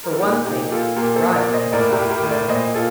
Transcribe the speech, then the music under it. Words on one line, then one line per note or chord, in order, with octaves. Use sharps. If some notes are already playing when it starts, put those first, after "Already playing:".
For one thing, Roddy had stopped snoring.
A#4
A4
A#2 D#4 G4
A#2 D#4 G4
G4
A#2 F4 A4
A#2 G4 A#4
A4 C5
A#2
A#4 D5
A#2
C5 D#5
A2 A#4 D5
G4 A#4
A2
G4 A#4
A2
A#4 D5
A#2 C5 D#5
A#2 F4 A4